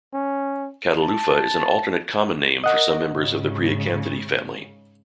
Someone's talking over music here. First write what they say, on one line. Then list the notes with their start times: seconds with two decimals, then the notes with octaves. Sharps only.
"Catalufa" is an alternate common name for some members of the Priacanthidae family.
0.13 C#4
1.02 A5
2.64 A#4 D#5 F#5
3.10 G#2 C#3